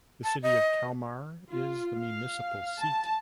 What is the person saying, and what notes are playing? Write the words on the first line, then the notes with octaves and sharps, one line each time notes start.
The city of Kalmar is the municipal seat.
A5
D#5
F4
F5
A5